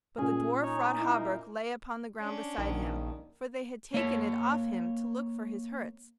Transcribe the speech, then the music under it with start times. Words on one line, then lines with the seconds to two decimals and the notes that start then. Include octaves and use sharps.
But the Dwarf-wrought Hauberk lay upon the ground beside him; for they had taken it off him to look for his hurts.
0.18 A#2 C#4 G#4
0.63 D#4 C#5
0.98 A#3 E4
2.20 C#4 D4
2.58 A#1 D#3
3.94 A#3 C#5